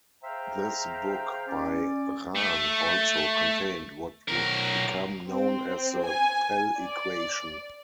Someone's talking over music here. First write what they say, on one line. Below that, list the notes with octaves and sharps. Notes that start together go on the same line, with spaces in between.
This book by Rahn also contained what would become known as the "Pell equation".
G#4 C5 E5 F5 G5 A#5
C#4 D5
A3
B1 A#4
C4
G#5
D5